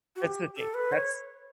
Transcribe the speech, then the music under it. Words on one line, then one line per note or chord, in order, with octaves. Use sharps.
That's the thing, that's
F#4
G4
A4
B4
C#5